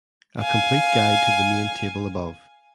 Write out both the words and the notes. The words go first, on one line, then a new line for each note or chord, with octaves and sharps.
A complete guide to the main table above.
F5 G#5